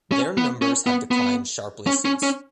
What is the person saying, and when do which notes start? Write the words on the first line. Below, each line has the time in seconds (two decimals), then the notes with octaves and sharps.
Their numbers have declined sharply since.
0.12 C#4
0.37 B3
0.62 C#4
0.87 B3
1.11 B3
1.87 C#4
2.05 C#4
2.23 C#4